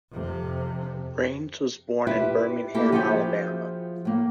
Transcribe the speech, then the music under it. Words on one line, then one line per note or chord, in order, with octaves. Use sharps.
Raines was born in Birmingham, Alabama.
F2 C3
E4 F4 G4 B4 E5
A#3 E4 G4 A4
F3 F4 F#4 G#4 E5 G5
A2 A#3